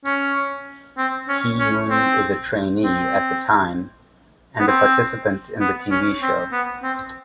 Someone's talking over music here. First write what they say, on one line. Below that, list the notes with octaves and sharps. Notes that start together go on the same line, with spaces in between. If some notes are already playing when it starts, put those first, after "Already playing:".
Kihyun is a trainee at the time and a participant in the TV show.
C#4
C4
C#4
C#4
C4
C4
B3
C4
B3
C#4
C4
B3
C4